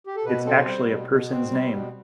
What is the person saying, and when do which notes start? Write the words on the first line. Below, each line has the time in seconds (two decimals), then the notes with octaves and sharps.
It's actually a person's name.
0.06 G4
0.16 A4
0.25 B2 B4
0.46 C4 A4
0.67 G3 C5
0.88 B2
1.09 B2
1.31 C4
1.50 G3
1.72 B2